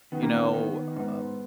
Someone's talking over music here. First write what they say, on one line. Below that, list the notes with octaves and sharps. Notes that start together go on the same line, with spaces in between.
you know, uh,
D#3 B3
A#3
B3
D#3
G#2 B3